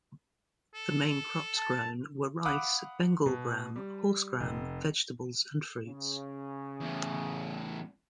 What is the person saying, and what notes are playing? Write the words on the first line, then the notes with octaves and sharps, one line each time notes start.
The main crops grown were rice, Bengal gram, horse gram, vegetables and fruits.
A4
A5
F5 F#5 B5 D6 D#6 F#6
B2
G3
F1
C#3
E2 A2